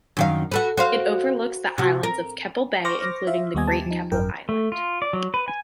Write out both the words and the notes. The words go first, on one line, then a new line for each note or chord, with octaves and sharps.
It overlooks the islands of Keppel Bay, including the Great Keppel Island.
F#2 D#3 F5
F#4 A4 B4
F#4 C5 F5
C3 F#4
A#4
C5 C#6 D6 F6 A#6
F4 C5 E5 F5
D#2 G3 B3 D#5 G#5 G#6
G4 A5
F3 D#4
G#1 F#2 A#4 G5
A3
F4
D5
F#3
B4
G#5